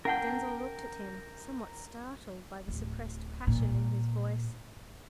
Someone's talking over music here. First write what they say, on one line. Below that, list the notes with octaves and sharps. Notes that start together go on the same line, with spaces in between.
Denzil looked at him, somewhat startled by the suppressed passion in his voice.
C#4 A#4 F#5 G5 A5
D1
A#2